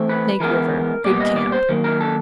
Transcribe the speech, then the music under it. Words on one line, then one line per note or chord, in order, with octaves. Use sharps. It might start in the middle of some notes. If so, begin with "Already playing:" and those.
Snake River.--Good camp.
Already playing: E3 A3 C4
B4
E3 G#3 B3 A#4
A#2 G3 B3 D5
D#5
D5
C5
D#3 F#3 A#3
A#4
A4